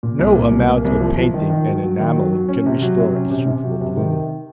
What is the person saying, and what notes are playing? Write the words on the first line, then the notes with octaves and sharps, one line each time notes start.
No amount of painting and enameling can restore its youthful bloom.
A#2
C2
A#2
C2
A#3
C2
F3
F3
D#3
D#3
F#3
F#3
D#3
F#3
F#3
C#4
C3
F#3
C3
C#4
C3
C3
F#3
C3
D#3